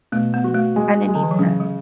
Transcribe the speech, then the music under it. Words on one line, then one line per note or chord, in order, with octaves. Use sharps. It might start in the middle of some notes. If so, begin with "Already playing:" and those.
"You kinda need to
B2 A3
B3
F#4
A3
G#3
G#3
D3
E3
F#3
C#3 G#3
G#3